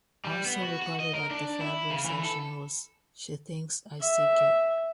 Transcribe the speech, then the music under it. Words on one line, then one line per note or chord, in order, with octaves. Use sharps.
Also recorded at the February session was "She Thinks I Still Care".
G3
B3
F#4
F#4
D#5
A#4
D4
E4
C#3
E3
A4
E5